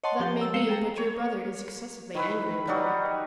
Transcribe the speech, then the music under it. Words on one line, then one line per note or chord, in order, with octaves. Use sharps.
"That may be, but your brother is excessively angry about it."
C#5 D#5 F#5 A5 C6
F3 C4 G4 A6 G7
A#5 E6
G#3 F5 C7 C#7 E7 G7
G#4 A4 G5 A#5
C#5
D#3 E4 B4
F#3 G3 D#4 F#4